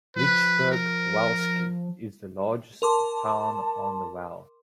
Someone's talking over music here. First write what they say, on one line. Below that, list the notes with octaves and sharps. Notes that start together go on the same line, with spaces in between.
Lidzbark Welski is the largest town on the Wel.
F3 B4
A#4
A#4 A5 C6 D6